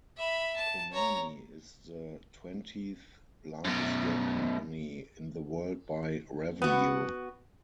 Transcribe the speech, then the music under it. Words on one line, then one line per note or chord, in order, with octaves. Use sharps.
Konami is the twentieth-largest game company in the world by revenue.
E5 B5
A5
C#5 A#5
F#2 B2
B3 F#4